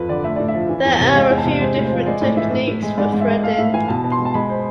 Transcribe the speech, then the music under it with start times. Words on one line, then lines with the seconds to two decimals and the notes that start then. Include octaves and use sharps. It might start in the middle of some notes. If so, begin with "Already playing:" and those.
There are a few different techniques for threading.
Already playing: F2 B4
0.09 D3 D5
0.24 A3 E5
0.36 A2 D5
0.48 E5
0.54 F3
0.69 E3
0.85 E2
1.00 C3
1.15 G#3 F5
1.30 E2
1.38 A5
1.46 C3
1.61 G#3 C5
1.76 A2
1.84 C5
1.91 F3
2.06 G#3 D5
2.22 A2 D5
2.37 E3 E5
2.52 A2
2.67 A2
2.83 G#3
2.98 G#2 D5
3.13 G#2
3.21 E5
3.28 G#3
3.43 A3 F5
3.53 F5
3.58 A2 E5
3.73 E3 G#5
3.88 B2 A5
4.04 B2
4.12 C6
4.19 G#3
4.25 A5
4.34 G#3 B5
4.49 C5